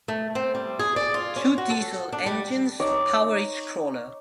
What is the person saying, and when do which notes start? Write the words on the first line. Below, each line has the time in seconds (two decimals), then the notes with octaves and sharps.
Two diesel engines power each crawler.
0.08 A3
0.35 C4
0.55 G3
0.79 G#4
0.96 D5
1.14 F4
1.36 C#4
1.58 F#4
1.70 A4
2.12 D4
2.26 G3
2.80 D#4 C#5 A#5 D6